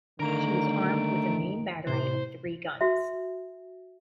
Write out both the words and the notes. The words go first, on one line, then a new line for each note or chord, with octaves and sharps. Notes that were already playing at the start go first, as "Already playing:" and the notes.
She was armed with a main battery of three guns.
D3 D#3 A3 A#4 A#5 D7
A2 C3 C5
F#4 E5